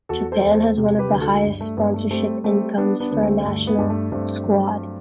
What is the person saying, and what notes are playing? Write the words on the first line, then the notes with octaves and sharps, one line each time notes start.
Japan has one of the highest sponsorship incomes for a national squad.
E2 F#4 A4
A4 C5
E2
A4 C5
C3
G4 B4
D2
F#4 A4
G2
A3
G2 B3
A3
G3 A3 C4
G3 A3 C4
G3 B3 D4
B3 D4
D2 B3
A3 C4
G2 A3
B3
G2
A3
G2 A3 C4
F#3